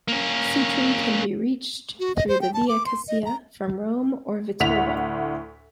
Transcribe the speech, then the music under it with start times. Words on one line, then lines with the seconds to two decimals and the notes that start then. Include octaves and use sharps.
Sutri can be reached through the Via Cassia from Rome or Viterbo.
0.08 A#3 C#4
2.00 F#4
2.16 D#5
2.28 C5
2.41 G5
2.54 A5
2.69 D6
2.86 C6
3.08 D#5
3.25 A#5
4.60 D2 A2 F#5 B6 F7